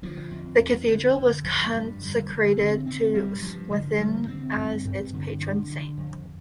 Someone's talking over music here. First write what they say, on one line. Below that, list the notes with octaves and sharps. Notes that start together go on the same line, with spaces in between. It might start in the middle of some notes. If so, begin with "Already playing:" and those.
The Cathedral was consecrated to Swithin as its patron saint.
D3 F3
F2
F2
D3
D3
F2
F3
G2 G3
D3
D3
D3 C4
D3 C4
G2 G3
G2 F3
D3 F3
F3
G2 G3
D3 C4
G2
G2
D3
D3
D3
F2